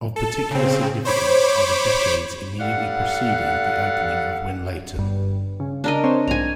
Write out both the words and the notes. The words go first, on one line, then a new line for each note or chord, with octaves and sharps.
Of particular significance are the decades immediately preceding the opening of Winlaton.
A4
C#3 C4
C5 C#5 B5 D6
G3 A4 F5 F#5
G1 G2
C#3
D4 A#4 D#5
C4 C5 C#5
B1 G#2 G#5 A#5